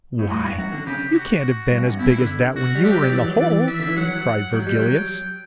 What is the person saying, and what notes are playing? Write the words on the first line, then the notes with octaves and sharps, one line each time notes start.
'Why, you can't have been as big as that when you were in the hole!' cried Virgilius.
A2
G2 F#4
G2
F#2 F#4
D3
C#3 G4
F#4
G2
F#2
G2
B2 E4
D3
F#4
G3
F#3 G4
G3
F#3
E3 D5
F#3
E3 D5
E5
D3
E3
F#3 F#5
F#3 G5
G3
F#3